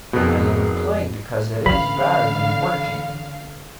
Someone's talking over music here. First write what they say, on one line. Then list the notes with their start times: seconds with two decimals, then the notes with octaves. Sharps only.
I only play because it is better than working.
0.13 F2 B2 F#4 G#4 A#4
1.66 D3 E3 C#4 F5 B5